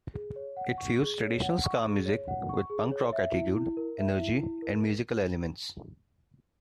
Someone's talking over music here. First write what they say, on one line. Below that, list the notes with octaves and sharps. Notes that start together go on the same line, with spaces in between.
It fused traditional ska music with punk rock attitude, energy and musical elements.
G#4
C#5
F#5
C#6
G#4
C#5
F#5
C#6
G#4
C#5
F#5
C#6
G#4
C#5
E5
E4
E4
A#4
E5
E4
E4
A#4